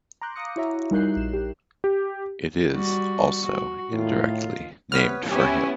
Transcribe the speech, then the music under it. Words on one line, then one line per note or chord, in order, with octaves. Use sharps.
It is also, indirectly, named for him.
A#5 C6 D6 F#6 G6
F5 A#5 D6 D#6 A#6 C#7
E4 F#4 C#5 E5 A#5
G3 D#4 A#4 F#6 G6 C7
A#1 E7
G4
G4
G3 F#4
F#4
A2 D#3 F4
C3 B3 B4 C#5 F6 B6
B3 C#4 E4 G4 C#5 G#5